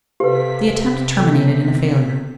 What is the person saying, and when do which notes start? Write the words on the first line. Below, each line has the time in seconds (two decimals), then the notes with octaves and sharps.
The attempt terminated in a failure.
0.20 C3 G4 A4 B4 C5 F5 B6
1.17 B3 A4 G5